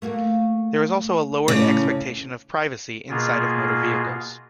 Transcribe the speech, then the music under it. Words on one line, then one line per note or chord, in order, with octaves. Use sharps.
There is also a lowered expectation of privacy inside of motor vehicles.
A3 A#3 F#4
A2 C#3 D5
B2 A#3 F4 G#4